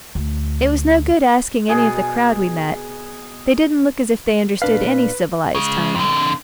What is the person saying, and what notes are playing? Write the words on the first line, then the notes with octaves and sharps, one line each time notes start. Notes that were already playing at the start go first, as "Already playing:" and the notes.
It was no good asking any of the crowd we met. They didn't look as if they understood any civilized tongue.
D2
B2 G#4 G#5
A#2 D4 B4 F5
C#3 G#3
F2 D3